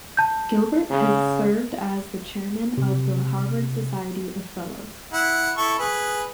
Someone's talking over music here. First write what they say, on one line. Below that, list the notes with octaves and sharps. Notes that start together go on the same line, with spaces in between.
Gilbert has served as the chairman of the Harvard Society of Fellows.
A5 G6
C#3
C3
E4 F#5
E4 A4 C#6
G#4 B4